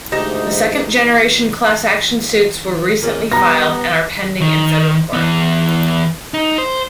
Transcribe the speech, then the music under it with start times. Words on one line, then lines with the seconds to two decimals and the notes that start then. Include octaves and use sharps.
The second generation class-action suits were recently filed and are pending in Federal Court.
0.12 D2 G#2 D#4 G4 A#6 E7
3.00 A#2 C#3 A#3
3.32 G3 B3 A#5 A#6
4.41 D#3
5.13 E3 B3
6.34 D#4
6.58 C5